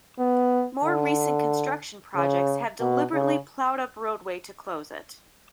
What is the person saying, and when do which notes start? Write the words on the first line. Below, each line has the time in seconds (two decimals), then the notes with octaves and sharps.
More recent construction projects have deliberately plowed up roadway to close it.
0.18 B3
0.84 D3
2.15 C#3
2.80 B2
3.13 C#3